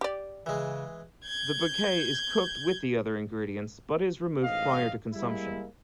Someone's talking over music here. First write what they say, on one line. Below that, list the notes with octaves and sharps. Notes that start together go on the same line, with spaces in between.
The bouquet is cooked with the other ingredients, but is removed prior to consumption.
G4 D5
C#3 E3 G#3
G6 G#6
A1 G#2 D#4 D#5 F5
G3 G#3 A#3 E4